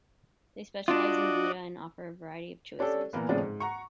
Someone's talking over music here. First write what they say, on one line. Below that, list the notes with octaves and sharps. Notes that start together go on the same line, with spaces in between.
They specialize in Gouda and offer a variety of choices.
D4 F4 F#4 D5 D#5
C#4 D4 G4 A4 D5
A#2 E3 A#3 B3
G#1 A2 C#3 F3 C#4 D4
G#2
F#5 A#5 C#6